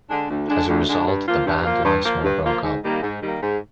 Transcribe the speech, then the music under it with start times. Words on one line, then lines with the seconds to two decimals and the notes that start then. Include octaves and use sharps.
As a result, the band once more broke up.
0.10 D3 G#3 D4
0.30 D2
0.49 D3 G#3 D4
0.69 D2
0.88 D3 G#3 D4
1.07 G2
1.27 F3 A#3 F4
1.46 G2
1.65 F3 A#3 F4
1.85 G2
2.04 F3 A#3 F4
2.24 G2
2.44 F3 A#3 F4
2.63 G#2
2.83 D#3 G3 A#3
3.02 G#2
3.21 D#3 G3 A#3
3.42 G#2